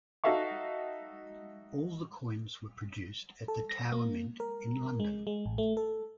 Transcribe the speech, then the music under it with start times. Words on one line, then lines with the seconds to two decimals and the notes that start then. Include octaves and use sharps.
All the coins were produced at the Tower Mint in London.
0.24 D#4 F#4 A4 E5 F5 C#6
3.48 A4
3.69 A#6
3.92 A#3
4.40 A#4
5.00 G#3
5.27 G#3
5.46 A1
5.58 A3
5.77 A4